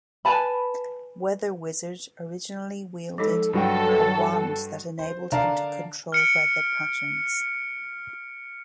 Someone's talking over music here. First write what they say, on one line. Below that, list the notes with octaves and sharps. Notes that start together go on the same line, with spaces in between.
Weather Wizard originally wielded a wand that enabled him to control weather patterns.
B4 G#5 A5 B5
F3 G#3 D#4 A4
G2 F#3 F#4 A4 G5
B4 C#5 E5
C5
D3 D4 A#4 F5 A5
F6 C#7 D7